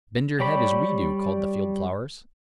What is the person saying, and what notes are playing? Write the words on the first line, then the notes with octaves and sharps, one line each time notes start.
"Bend your head, as we do," called the field-flowers.
G3 G4 C#5 D5 B5